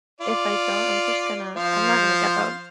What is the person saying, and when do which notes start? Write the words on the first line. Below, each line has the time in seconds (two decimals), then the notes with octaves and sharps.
if I don't, I'm just gonna I'm not gonna get up.
0.21 F4 D5
1.57 F3 C5 F5